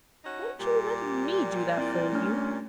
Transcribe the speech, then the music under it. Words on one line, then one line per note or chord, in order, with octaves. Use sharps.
Won't you let me do that for you?
C#4 D#4 F#4
A#2 G3 G4
C4 E4 D5
A3 C#4 D4 F6